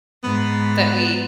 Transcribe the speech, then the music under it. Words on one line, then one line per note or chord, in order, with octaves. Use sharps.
that we
G#2 B3